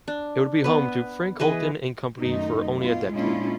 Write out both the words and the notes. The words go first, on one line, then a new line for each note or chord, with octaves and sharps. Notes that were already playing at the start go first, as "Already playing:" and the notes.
It would be home to Frank Holton and Company for only a decade.
D4
B3 B4
E3 G#4 B4 D#5
F#2 D#3 A3 D#4
B2 F4
A#2 G#3 C#4 D4 E4 F4